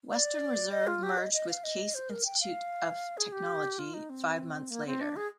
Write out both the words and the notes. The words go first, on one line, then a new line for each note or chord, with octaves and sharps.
Western Reserve merged with Case Institute of Technology five months later.
D5
D#5
F4
G4
D#5
D#5
F5
D#5
C5
A#4
G5
F5
G#4
G4
F4
D#4
C4
A#3
C4
D4
G#4